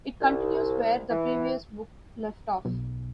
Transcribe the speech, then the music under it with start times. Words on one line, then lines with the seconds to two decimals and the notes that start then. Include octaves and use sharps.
It continues where the previous book left off.
0.21 C2
1.10 E3
2.65 B1